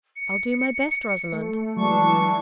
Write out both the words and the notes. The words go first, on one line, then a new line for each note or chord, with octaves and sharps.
'I'll do my best, Rosamond.
C#7
A3
E3 F#3 G#3 D4 C#6